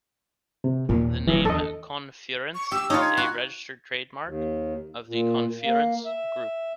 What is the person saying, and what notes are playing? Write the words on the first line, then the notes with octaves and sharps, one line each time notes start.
The name ConFurence is a registered trademark of the ConFurence Group.
C3
D#2 A#2
D1 A#1 E3 F#3
D#2 D4 A4 D#5
C#6
G4 E6
D#4 F4 C#5
G#6
F#4
D#2
A#2
A#3
E5